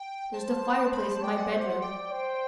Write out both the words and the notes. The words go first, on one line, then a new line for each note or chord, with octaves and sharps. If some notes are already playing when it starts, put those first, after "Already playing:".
There's the fireplace in my bedroom.
Already playing: G5
C5 A5
B5
A5
D5 G5
F#5
C5
D5 G5
C5